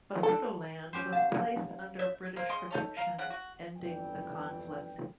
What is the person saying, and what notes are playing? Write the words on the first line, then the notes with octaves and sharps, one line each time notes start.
Basutoland was placed under British protection, ending the conflict.
A4
C#4 G4 C5
F5 F#5 A5
C#5 E5
A#3 C5
C#3 G#3 D#5 C6
D#4 A4 C#5
F5 A#5
C#3 F#5
F#4
G1 F2 E3 D4 E4 G5